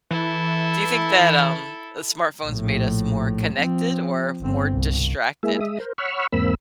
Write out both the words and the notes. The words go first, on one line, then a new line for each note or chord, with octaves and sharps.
Do you think that, um, uh, smartphones made us more connected or more distracted?
E3 E4 A4
A#1 A2
F3 C4
G1 C4
C2
G#3 A#3 E4 G#4 E5
G#3 E5 D#6
A#4 C5
C#5 F#5 B5 C#6 E6 F6
E2 G#2 A#3 C4 B5 E6